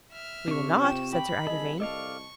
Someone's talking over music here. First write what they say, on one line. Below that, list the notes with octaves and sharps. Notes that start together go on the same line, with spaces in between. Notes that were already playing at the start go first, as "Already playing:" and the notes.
"We will not," said Sir Agrivain.
E5 F6
C3 D4 C#6
F4 G4 C5 C#6 E7
G4 B5
C2 G#4 A4 D#5
A4 D5 D#5 F5 A5 C#6